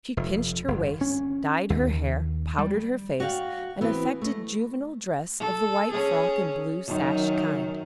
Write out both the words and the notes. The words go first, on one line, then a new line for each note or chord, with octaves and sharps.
She pinched her waist, dyed her hair, powdered her face, and affected juvenile dress of the white frock and blue sash kind.
F1
G1
C#4
D#2
G3
F#4 D5 D#5 F5 G5
E3 B3 C4
A3 D#5
A4
C#4 G#4
F#2 D#3 D#4